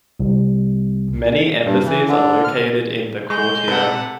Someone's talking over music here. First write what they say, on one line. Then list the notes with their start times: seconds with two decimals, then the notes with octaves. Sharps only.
Many embassies are located in the Quartier.
0.20 C2
1.65 G2
1.86 E3
2.07 D3
2.44 F6
3.30 G#3 G#4 C#6 G6
3.68 C3 A4 B4 F#5